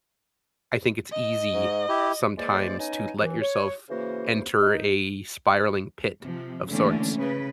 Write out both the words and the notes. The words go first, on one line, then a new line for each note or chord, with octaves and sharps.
I think it's easy sometimes to let yourself enter a spiraling pit of sorts
D#5
G#2
E4 G4
E3 G#3 A#3 C5 D5
B3 C#4 D#4 D#5 G#5
D#2 E3
C#5
C#3 E3 A#3 F#4 C5
D#4
C3 F3
D3 E3 A3 A#3 C#4 D4
C#3 B4